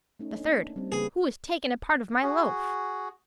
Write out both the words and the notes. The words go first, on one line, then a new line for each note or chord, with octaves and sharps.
The third, "Who has taken part of my loaf?"
A3 C#4 D#4
A#3 D4
G3 C4
C#3 A#3 G#4 B4
F#4 G#4